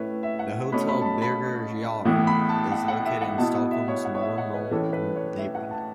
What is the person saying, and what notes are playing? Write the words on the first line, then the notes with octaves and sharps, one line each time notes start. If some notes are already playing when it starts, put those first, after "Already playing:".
The Hotel Birger Jarl is located in Stockholm's Norrmalm neighborhood.
Already playing: A2 A3 C#4 E4 B4 C#5 E5
E5
F#5
B2 A3 C#4 B5
B5
A5
B5
B5
A2 E3 B3 E4
B5
A5
F#5
F#5
E5
F#5
B2 B3 E4 A5
F#5
E5
C#5
F#5
C#5
E5
F#5
B4
A2 E3 A3 C#4 A4
B4
C#5
E5
F#5
A5